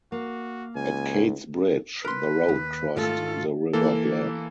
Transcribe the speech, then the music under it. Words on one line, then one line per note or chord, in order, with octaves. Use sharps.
At Kate's Bridge, the road crossed the River Glen.
A#3 F#4
C#2 G#5
A#4 B4 C6
D#2
G#2 D#3 A3 F4 A4
E3 A#3 A4